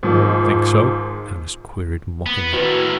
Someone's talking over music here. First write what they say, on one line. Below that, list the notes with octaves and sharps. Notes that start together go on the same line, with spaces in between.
"Think so?" Ernest queried mockingly.
G#2 D#3 F3
B3
A2 D#3 E4 F#4 B4